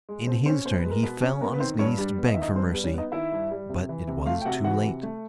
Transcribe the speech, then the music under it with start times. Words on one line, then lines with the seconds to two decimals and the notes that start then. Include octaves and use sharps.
In his turn he fell on his knees to beg for mercy, but it was too late.
0.09 G#3
0.27 B2 C4 C5
0.46 C4 C#4 C5
0.65 B2 C5
0.78 B4
0.85 G#3
0.91 A#4
1.03 B2 B3 B4
1.22 C#4
1.41 A#3 B3 A#4
1.53 B4
1.60 D#3 C4 C5
1.79 G2 C#4 C#5
1.98 G3 D4 D5
2.18 B3
2.26 D#5
2.34 D#3 E5
2.42 D#4 D#5
2.55 G2 C4 C5
2.70 B3 B4
2.74 G3
2.84 C#4 C#5
2.94 B3 D#4 D#5
3.12 D#3 E4 E5
3.32 G2
3.51 G3
3.69 C3
3.89 E3
4.08 C3
4.26 A3 F4 F5
4.41 G5
4.45 C3 F#4 F#5
4.64 E3 F#4 F#5
4.84 C3
5.03 A3